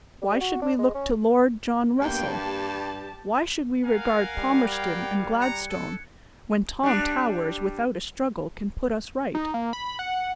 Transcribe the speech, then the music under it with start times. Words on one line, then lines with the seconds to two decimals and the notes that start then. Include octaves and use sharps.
Why should we look to Lord John Russell;--why should we regard Palmerston and Gladstone, when Tom Towers without a struggle can put us right?
0.22 G3
0.41 F#4
0.62 D4
0.79 G#3
0.94 C#4
2.01 G2 A#3 B3 G5
2.33 G4 A5
3.85 A#4 F5 F#5 G#5
4.38 G3
4.72 G5 G#6
5.41 A#5 F#6 C#7
5.70 A4
6.83 G3 D4
9.35 D#4
9.54 A#3
9.73 B5
9.99 F#5